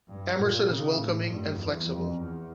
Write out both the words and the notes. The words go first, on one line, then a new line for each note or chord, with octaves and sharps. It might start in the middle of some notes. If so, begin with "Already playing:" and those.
Emerson is welcoming and flexible.
G2
A#2
C#3
A2
G2
E2
F2
E2